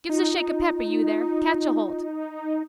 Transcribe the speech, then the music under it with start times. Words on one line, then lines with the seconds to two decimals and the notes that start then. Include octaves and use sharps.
Give's a shake of peppe, you there. Catch aholt.
0.09 D#4 F4